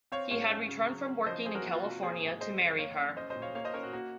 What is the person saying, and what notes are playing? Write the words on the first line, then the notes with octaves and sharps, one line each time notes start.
He had returned from working in California to marry her.
C4 C#5 F5
G#2 C#5 F5
C#4
C#3
F#3
C#4
F3 C5 D#5
C4 G#4 C5
F#4 A#4
A#3 F#4
F4
C3 F#4
A#3 G#4 C5
G#2
G#3 C5 D#5
F2
A#3 C#5 F5
C#4
C#4 C5 D#5
C5 D#5
A#2
C#5 F5
A#3 C#5 F5
C5 D#5
C#4 A#4 C#5
F#4
A#3 F#4